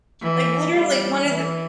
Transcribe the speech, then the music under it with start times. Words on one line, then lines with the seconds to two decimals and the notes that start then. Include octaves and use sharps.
Like, literally one of the
0.22 E3
0.75 G3
1.28 E3